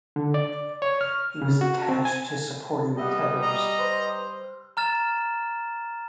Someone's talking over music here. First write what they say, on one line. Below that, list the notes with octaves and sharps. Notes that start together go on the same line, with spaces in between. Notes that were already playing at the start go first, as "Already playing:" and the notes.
He was attached to supporting tethers.
D3
D5
C#5
F6
C#3
F#4
C4
G#5
G3 B3 G4 D#5 E5 F#5
D#5 A#5
B4 C5
A#5 F6 A6 E7